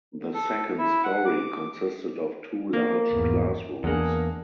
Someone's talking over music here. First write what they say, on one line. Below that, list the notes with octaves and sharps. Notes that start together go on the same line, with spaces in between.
The second storey consisted of two large classrooms.
A4
E4
F#5
D6
A#3
G#1 E2
E2 A#3 D4 G#4 F#5